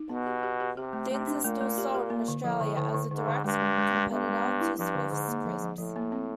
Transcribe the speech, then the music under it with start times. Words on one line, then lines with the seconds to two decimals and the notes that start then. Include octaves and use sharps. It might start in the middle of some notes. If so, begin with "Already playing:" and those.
Thins is still sold in Australia as a direct competitor to Smith's Crisps.
Already playing: D#4
0.09 B2 B3
0.27 G4
0.43 G4
0.60 G4
0.76 C3 G4
0.93 A3
1.11 C3 A3
1.27 D4
1.44 A#2 A3
1.61 A3
1.78 G4
1.95 G4
2.10 A#3
2.28 D3
2.44 A2 F3
2.61 D3
2.77 D3
2.94 D3
3.11 G#2 D3
3.28 D3
3.44 G2 G#3
3.62 G#3
3.78 G#3
3.94 G#3
4.11 G2 B3
4.29 G#3
4.44 B3
4.61 E4
4.78 G2 F3
4.95 D3
5.12 G#2 D3
5.28 A#3
5.45 F3
5.62 F3
5.78 A2 F3
5.96 A#3
6.12 C4